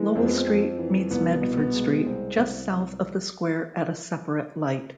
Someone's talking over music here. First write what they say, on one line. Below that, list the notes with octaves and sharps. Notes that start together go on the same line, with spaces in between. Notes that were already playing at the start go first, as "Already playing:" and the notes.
Lowell Street meets Medford Street just south of the square at a separate light.
Already playing: E3 G#3
F2 C4
B3
C4
F2
E3
C2 B3
B2
B3
G#3
C2 C4
C2